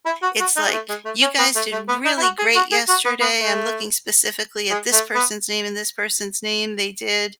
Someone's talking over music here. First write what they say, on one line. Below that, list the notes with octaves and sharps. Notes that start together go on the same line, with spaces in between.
it's like, "You guys did really great yesterday. I'm looking specifically at this person's name and this person's name. They did,
E4
F#4
F#4
D#4
G#3
A3
G#3
A3
C#4
B3
A3
A3
B3
D#4
E4
F#4
G#4
F#4
G#4
F#4
B3
B3
A3
G#3
A3
B3